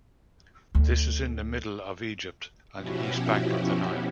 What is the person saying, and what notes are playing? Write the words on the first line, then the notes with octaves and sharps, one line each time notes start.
This is in the middle of Egypt, on the east bank of the Nile.
D2
B2 F3 C#4 E4 F#4 G4